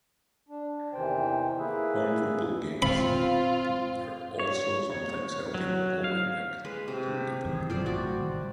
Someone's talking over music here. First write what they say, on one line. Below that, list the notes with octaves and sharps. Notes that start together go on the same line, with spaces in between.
Home football games are also sometimes held in Owenbeg, Dungiven.
D4
E2 C3 D#3 E3 C5 G5
A#3 E4 G#4 B4 E5
C4 F4 B5
C#5
F#3
F5
G#3 B4
C3
F#2 D#3 E3
G2 B2 F#3 F4 C5 D5
A1 A2 F#4 D5
D#3 G3